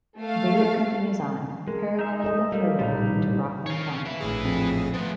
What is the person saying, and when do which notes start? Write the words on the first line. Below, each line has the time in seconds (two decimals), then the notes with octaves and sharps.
The route continues on, paralleling the Thruway into Rockland County.
0.20 A3 F5
1.68 G#3 A#4
1.99 D#4 E5
2.24 A4 D#5
2.52 G3 A#4 F5
2.79 A#1 A2 C3 G3 D#4
3.66 C#5 F5
4.06 B4 E5
4.20 A#1 A2 G#4
4.44 F2
4.94 F3 A3 B3